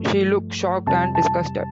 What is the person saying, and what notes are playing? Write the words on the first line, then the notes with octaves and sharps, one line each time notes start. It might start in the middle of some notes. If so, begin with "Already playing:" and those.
She looks shocked and disgusted.
Already playing: G2 F3 A3
F2 C3 G3 A5
A5